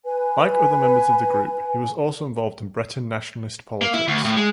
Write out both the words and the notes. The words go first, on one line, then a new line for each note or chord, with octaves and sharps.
Like other members of the group, he was also involved in Breton nationalist politics.
B4 G#5
A#3
E4
D2
A2
G#3